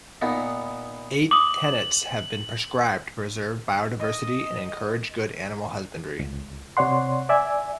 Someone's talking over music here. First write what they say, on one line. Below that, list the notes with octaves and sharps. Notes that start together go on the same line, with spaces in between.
Eight tenets have been prescribed to preserve bio-diversity and encourage good animal husbandry.
A#2 B3 D#4
D6 D#6 F#7
D#5
C#2
C3 C#5 D5 F#5 C6
D5 E5 G#5